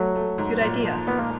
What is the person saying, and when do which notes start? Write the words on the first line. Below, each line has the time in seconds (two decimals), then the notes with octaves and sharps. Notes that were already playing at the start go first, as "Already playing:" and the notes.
It's a good idea.
Already playing: F#3 A3
0.16 A3
0.38 G#2
0.61 A#2
0.85 F3
1.07 A#2 B3
1.19 A#3